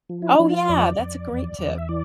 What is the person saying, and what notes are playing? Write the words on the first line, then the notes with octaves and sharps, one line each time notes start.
Oh yeah, that's a great tip.
F3
E4
D4
F3 E4
F4
F2 D5
F2
E2
E2
E5
E3 D5